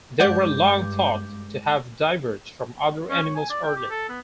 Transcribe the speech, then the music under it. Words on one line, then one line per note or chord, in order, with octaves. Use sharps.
They were long thought to have diverged from other animals early.
G2 G#3 D5 F#5 D6 G6
C#4
C#5
G#5
D5
G5
G4
A4
B3